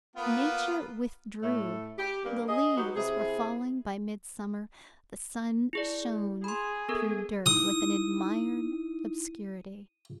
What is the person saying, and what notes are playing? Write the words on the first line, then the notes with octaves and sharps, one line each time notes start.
Nature withdrew: the leaves were falling by midsummer; the sun shone through dirt with an admired obscurity.
A#3 B3 F4
A2 A3
G4
G2 A#3
G#4 D#5
F#3 D#4 F#4 G4 B4
C3 E4 G#4
E4 G#4 D5
G#4 B5 C6
B3 A4 A#4
D#4 E4 D#6